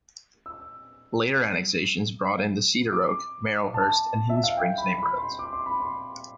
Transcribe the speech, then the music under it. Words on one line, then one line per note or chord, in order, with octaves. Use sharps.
Later annexations brought in the Cedaroak, Marylhurst and Hidden Springs neighborhoods.
E6
D6
A5
E5
F5
G5
B5
B5
C6
D6
C6
B5
C6